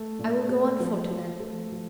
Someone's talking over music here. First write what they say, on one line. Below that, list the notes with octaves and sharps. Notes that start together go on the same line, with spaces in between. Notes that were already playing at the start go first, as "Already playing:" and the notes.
"I will go on foot, then."
Already playing: A3
A#2
A3
F3
F3
A3
F3